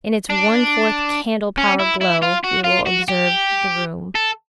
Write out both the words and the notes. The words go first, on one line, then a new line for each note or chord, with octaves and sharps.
In its one-fourth-candlepower glow we will observe the room.
D4
C#4
E4
E4
F4
F#4
F4
F#4
G4
A4